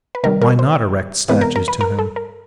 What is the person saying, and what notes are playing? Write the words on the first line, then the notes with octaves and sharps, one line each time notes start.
Why not erect statues to him?
B4
C3 D#3 G3 A#4
A#4
C5
C3 E3 G#3 B3 B4
A#4
A#4
B4
A#4
A4
A#4